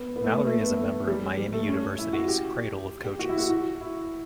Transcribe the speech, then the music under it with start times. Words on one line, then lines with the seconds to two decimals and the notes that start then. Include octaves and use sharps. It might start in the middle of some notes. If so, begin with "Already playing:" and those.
Mallory is a member of Miami University's Cradle of Coaches.
Already playing: B3
0.16 B3
0.24 A3
0.32 B3
0.47 A3
0.61 B3
0.77 A3
1.08 G3
1.37 G3
1.53 A3
1.68 C#4
1.98 E4
2.13 F#4
2.28 G4
3.04 G4
3.19 F#4
3.29 E4
3.38 F#4
3.50 F#4
3.81 E4